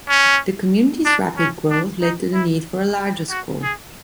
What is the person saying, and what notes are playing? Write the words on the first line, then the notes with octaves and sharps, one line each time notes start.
The community's rapid growth led to the need for a larger school.
C#4
D4
C#4
D4
D#4
E4
F#4
G#4